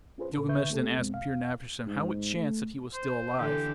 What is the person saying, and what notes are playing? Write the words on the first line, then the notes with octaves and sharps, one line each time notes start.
Gilgamesh then asked Pir-napishtim how it chanced that he was still alive.
C#4 F4 G#4 B4 C5
A#2 A4
D2 D3 B4 E5 C#6 G6
A3 C4 G4 A4
F2 B2 G#3 B3 C4
E2 F5
G#2
A3
C5
D3 E3 G4 A4